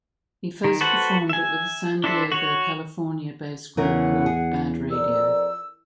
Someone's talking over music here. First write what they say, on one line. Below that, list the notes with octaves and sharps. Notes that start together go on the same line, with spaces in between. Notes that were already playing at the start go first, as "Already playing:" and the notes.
He first performed it with a San Diego, California-based group called Bad Radio.
D#3
F#4 A4 B4 C5 F#5
E5 G#5
D4 E4 A4 C5 E5
F#4 C#5
E2 C#3 E3 A#4 F#5
G#4
F2 A#4 D5 E6